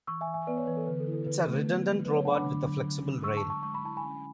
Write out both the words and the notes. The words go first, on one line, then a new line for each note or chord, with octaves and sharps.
It is a redundant robot with a flexible rail.
E3 C#6 E6
E5 G#5
E3
E5 G#5
B3 B4 D5
C#5
E3 B4
A4
D3 B4
A4
E4
A4
D3 B4
A3
B3
F#3
B3 B4
C#5
D4 F#5 A5
B5 D6
D3
F#3
D3
D4
G#3 C#6 E6
A5 C#6
G#3
A5 C#6
G#3 C#6
B5
E4 A5
G#5 B5
C#4